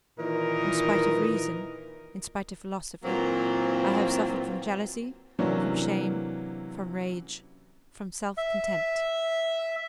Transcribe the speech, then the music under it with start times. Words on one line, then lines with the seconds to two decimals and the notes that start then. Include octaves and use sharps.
In spite of reason,--in spite of philosophy--I have suffered from jealousy, from shame, from rage, from self contempt.
0.18 A#2 D#3 E3 D#4 A#4
3.04 A#2 E3 F#3 A#3 C4
5.39 C3 E3 F#3 A#3 C#4 D4
8.37 E5